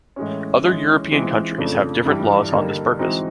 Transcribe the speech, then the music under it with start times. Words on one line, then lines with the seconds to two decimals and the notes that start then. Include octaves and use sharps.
Other European countries have different laws on this purpose.
0.16 A2 E3 G#3 C#4
0.64 E3 G#3 C#4
1.11 E3 G#3 C4 F4
1.58 F2 C#3 F3 A3 D4
2.05 G2 E3 G3
2.52 G2 D3 G3 A#3 D#4
2.99 E3 G#3 C4 D#4 F#4